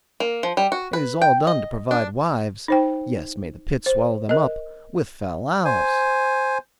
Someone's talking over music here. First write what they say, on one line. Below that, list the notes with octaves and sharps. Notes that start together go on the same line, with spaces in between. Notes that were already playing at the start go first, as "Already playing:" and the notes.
It is all done to provide wives--yes, may the pit swallow them up!--with fal-lals.
A#3
F3
G3
F#4
B4
G5
D#5
D4
D#4 C5 G5
C5
A#4 D#5
C5 G#5